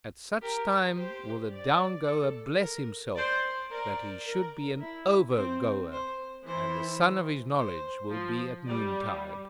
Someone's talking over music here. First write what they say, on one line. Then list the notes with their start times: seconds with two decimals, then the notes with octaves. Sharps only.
At such time will the down-goer bless himself, that he should be an over-goer; and the sun of his knowledge will be at noontide.
0.42 G4 A#4
0.96 G4 C5
1.51 D5
2.06 A4
2.62 A#4
3.16 C5 D5
3.72 A#4 D5
4.26 A#4
4.81 E4
5.36 C4 C5
5.92 C5
6.46 E3 C5
7.56 C5
8.11 F3
8.66 G3 D5